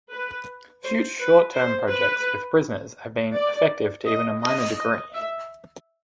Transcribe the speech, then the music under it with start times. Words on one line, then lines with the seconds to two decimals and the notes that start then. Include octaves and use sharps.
Few short-term projects with prisoners have been effective to even a minor degree.
0.11 B4
0.83 C5
1.19 B4
1.55 C5
1.91 B4
3.34 D5
4.06 D#5
4.42 D#5
4.77 D#5
5.14 E5